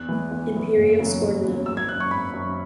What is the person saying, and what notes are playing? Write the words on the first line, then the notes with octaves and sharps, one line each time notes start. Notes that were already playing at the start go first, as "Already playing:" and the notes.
Imperial scored none.
Already playing: E2 F#6
E3 G#3
E2
E3 G#3
F#1
E2 C#3 F#3
F#1
E2 C#3 F#3
G#1 E6
G#6
F#2 F#3 F#6
C#6
G#1 B5
F#2 F#3